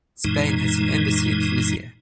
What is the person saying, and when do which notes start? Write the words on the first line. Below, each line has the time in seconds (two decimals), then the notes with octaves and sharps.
Spain has an embassy in Tunisia.
0.24 F#2 A#2 E3 G#3 D#4